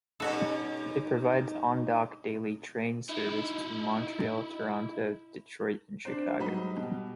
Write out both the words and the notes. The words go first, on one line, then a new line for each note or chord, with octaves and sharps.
It provides on-dock daily train service to Montreal, Toronto, Detroit and Chicago.
G2 B2 C#4 D#4 F#4 A4
D#4 E4
D4 C5
G#2 F#3 G3 D#4 D#5 B5
B2 G3